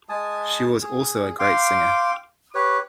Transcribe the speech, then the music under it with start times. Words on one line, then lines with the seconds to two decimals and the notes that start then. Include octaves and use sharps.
She was also a great singer.
0.09 G#3 G#5 A5 D#6
0.81 G#4
1.39 F5 G5 C6 D6
2.55 G4 B4 C#5